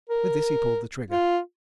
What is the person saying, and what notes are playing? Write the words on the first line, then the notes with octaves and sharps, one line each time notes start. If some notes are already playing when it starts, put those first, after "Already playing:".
With this he pulled the trigger.
A#4
F4